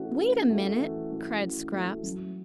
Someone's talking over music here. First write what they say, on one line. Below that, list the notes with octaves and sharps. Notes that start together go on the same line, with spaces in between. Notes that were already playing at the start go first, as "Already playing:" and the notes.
"Wait a minute," cried Scraps.
Already playing: E3 A3 C#4 F#4
E3
A3 C#4 F#4
E3
A3 C#4 F#4
E3
A3 C#4 F#4
F#3